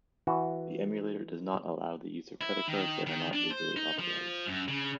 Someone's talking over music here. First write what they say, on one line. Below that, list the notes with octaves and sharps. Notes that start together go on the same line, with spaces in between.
The emulator does not allow the use of credit cards that are not legally authorized.
E3 F#4
E4
D#3
D#3
D4
C5
D#4
F3
F#2
C#3